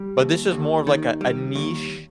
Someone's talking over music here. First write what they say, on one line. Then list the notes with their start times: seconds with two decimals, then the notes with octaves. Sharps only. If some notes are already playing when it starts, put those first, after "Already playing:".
but this was more of, like, a a niche
Already playing: G3
0.17 D#2
0.52 D#2
0.87 D#3
1.21 G3
1.55 D#2